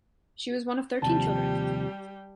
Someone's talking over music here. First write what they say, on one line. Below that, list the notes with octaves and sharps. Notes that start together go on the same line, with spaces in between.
She was one of thirteen children.
D#2 C3 F3 G3 G4 A5